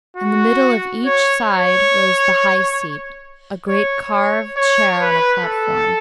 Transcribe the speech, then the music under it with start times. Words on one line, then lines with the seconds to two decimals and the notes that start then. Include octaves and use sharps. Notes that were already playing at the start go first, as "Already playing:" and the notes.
In the middle of each side rose the high seat, a great carved chair on a platform.
0.17 F#4
1.06 C#5
1.49 C#5
3.69 C#5
4.12 C#5
4.57 C#5
5.01 B4
5.45 A4